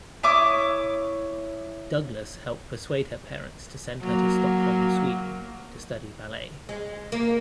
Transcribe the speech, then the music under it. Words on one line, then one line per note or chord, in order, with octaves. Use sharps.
Douglas helped persuade her parents to send her to Stockholm, Sweden to study ballet.
E4 C#5 D6 D#6
F#3 A#3
G#3
A#3